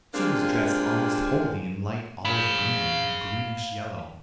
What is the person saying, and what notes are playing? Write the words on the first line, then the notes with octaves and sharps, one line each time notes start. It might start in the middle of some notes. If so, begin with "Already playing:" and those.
She was dressed almost wholly in light olive-green and greenish-yellow.
C3 G#3 A#3 C4 D4 F4
F5 B5